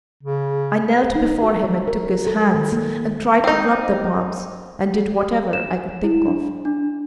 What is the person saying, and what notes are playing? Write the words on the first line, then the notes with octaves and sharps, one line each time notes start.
I knelt before him and took his hands, and tried to rub the palms, and did whatever I could think of.
C#3
D#4
F#4
F#3
A#4
A4
D#3
A#3
C4 D#4
E7
E4
D4
D4